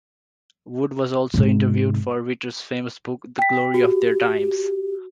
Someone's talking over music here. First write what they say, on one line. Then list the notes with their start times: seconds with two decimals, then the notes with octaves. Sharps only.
Wood was also interviewed for Ritter's famous book, "The Glory of Their Times".
1.34 G#2 C3
3.39 G5 B6
3.74 F#4 G4